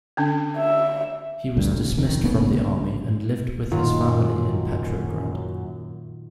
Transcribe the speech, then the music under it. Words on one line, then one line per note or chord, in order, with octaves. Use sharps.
He was dismissed from the army and lived with his family in Petrograd.
D3 C#4 D4
E5
G#1 D2 G2
D#1 C3
F2 D#3
A#1 C#3 A#3 B3
F#2 A#2 D#3 F4